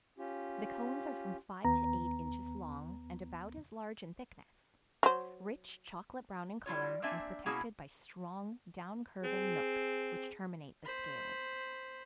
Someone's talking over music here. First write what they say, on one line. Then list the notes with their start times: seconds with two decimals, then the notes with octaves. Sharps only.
The cones are from five to eight inches long and about as large in thickness; rich chocolate-brown in color and protected by strong, down-curving nooks which terminate the scales.
0.18 C#4 F4 G4
1.64 D#2 B3 A#5
5.03 F#3 C5
6.66 G3 E4 F4 C#5
7.02 A#3 C4 D4 E5 G#5
7.46 B2 A#3 C#4 E4 F#4 G#4
9.24 C4 G#4
10.85 C5 B5